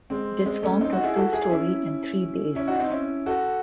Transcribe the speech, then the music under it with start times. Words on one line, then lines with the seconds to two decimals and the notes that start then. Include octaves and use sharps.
It is formed of two storey and three bays.
0.10 G#3 C4
0.46 G#3 C4
0.63 A3 C#4
0.81 C4 D#4
0.93 D#4 F#4
1.03 E4 G#4
1.16 F#4 A4
1.33 E4 G#4
1.50 C#4 E4
2.55 C#4 E4
2.68 D#4 F#4
2.79 C4 D#4
2.90 C#4 E4
3.26 F#4 A4